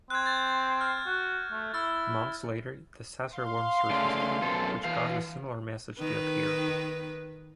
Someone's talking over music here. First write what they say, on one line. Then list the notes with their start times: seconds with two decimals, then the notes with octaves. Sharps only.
Months later, the Sasser worm surfaced, which caused a similar message to appear.
0.10 C4 F#6 G#6
0.26 G6 A6
0.81 F6
1.06 F#4
1.52 A3
1.74 E4 E6 A6
3.35 F5 C6
3.90 C#3 A3 D5
4.42 F#2 B2 A4
4.84 E3 F5
5.99 D#3 B4